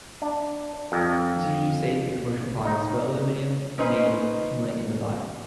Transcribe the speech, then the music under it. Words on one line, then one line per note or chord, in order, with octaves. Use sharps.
It is usually safe in commercial products, but aluminium may accumulate in the body.
D4
F2
D#4
C#4 D#4 B4 C5 D#5